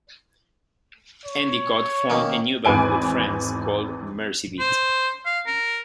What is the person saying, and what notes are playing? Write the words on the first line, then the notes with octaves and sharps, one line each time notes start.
Endicott formed a new band with friends called Mercy Beat.
C#5
D#3 A#3 C#4
G#1 E2 B4 G#5 D7
C5
F5
A#4